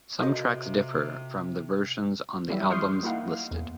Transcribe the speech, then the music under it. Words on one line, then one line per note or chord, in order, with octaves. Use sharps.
Some tracks differ from the versions on the albums listed.
C3 F3 F#4 A4 D#5
E3 F#3 G3 E4 E5
C6 C#6 D#6 F6 G6 C7
A#3 D#4 E4 F5 F#5
E2